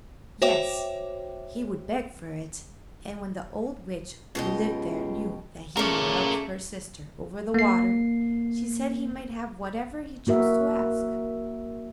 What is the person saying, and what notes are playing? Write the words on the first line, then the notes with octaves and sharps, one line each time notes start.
Yes! he would beg for it; and when the old witch who lived there knew that he had helped her sister over the water, she said he might have whatever he chose to ask.
F#4 C5 C#5 E5 G5 D6
C#2 B2 G4 D#5
C#3 A3 C#4 A#4 D5
A#3 C7
A#3 F#4 A#4 E5